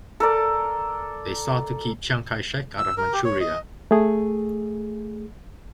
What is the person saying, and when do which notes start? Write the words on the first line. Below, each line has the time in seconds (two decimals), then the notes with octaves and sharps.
They sought to keep Chiang Kai-shek out of Manchuria.
0.20 A4 A#4 D5
2.78 E6
2.98 A#4
3.13 G4
3.25 C#5
3.41 D#5
3.91 A3 G#4